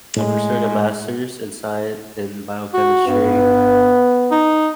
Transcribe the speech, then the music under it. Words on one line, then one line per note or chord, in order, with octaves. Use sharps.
I'm pursuing a master's in scien in biochemistry,
A2 G#3
F#4
G2 B3
D#4